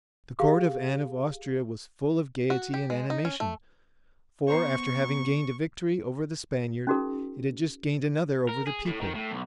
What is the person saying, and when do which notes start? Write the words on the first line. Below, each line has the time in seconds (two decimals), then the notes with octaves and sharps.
The court of Anne of Austria was full of gayety and animation; for, after having gained a victory over the Spaniard, it had just gained another over the people.
0.40 G4 G#4 F5
2.50 F#4
2.74 G4
2.90 G#3
3.10 D#4
3.25 C#4
3.40 A3
4.48 B3 C5 A#5 C#6 C7
6.87 C#4 D#4 F#4 G#4 A#4
8.49 A#4
8.67 G#4
8.87 A2
9.01 D#3
9.15 A2
9.31 B1